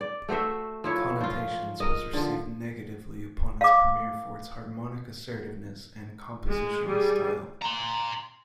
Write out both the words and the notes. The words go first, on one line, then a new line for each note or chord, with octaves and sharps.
"Connotations" was received negatively upon its premiere for its harmonic assertiveness and compositional style.
D5
A3 F#4 C5 E5
F3 E4 C#5
F3 F4
A#4 D#5
D3 F3
F5 D6
G#3
G3 G#4
A#5 C6